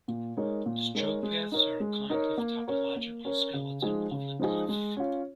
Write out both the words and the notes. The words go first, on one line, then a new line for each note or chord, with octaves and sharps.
The stroke paths are a kind of topological skeleton of the glyph.
A#2
G#3 D#4 A#4 C#5
A#2
G#3 D#4 A#4 C#5
G#3
D#4 A#4 C#5
G#3
D#4 A#4 C#5
A#3
C#4 A#4 C#5
A#3
C#4 A#4 C#5
C#3
F3 G#3 D#4 G#4
C#3
F3 G#3 D#4 G#4
G#3
C#4 F4